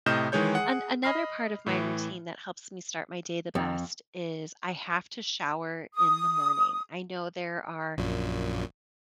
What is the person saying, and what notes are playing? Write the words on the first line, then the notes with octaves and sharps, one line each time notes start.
An another part of my routine that helps me start my day the best is I have to shower in the morning. I know there are
A2 C3 D#5 F6 G6 E7
D#3 E3 G#3 G#4 C#5 G6
G#4 F#5
D#5 B5 F6 C7
A2 E3
F2
D#6
A#1 F#2 A#2